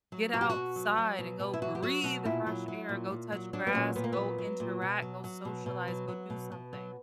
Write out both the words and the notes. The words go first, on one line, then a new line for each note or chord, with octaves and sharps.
get outside and go breathe the fresh air, go touch grass, go interact, go socialize, go do something.
F#3
B2 F#4
G4
F#4
B2
F#3
F#3
B2
B2
E4
F#3 F#4
G4
F#3 F#4
B2 F#4
A#2 E4
F#3
F#3
A#2
A#2
F#3
F#3 D4
B3
A#2 C#4
A#2 B3
A#3
F#3 B3
F#3
A#2
B2
F#3
F#3
B2
B2
F#3
F#3
B2
B2
F#3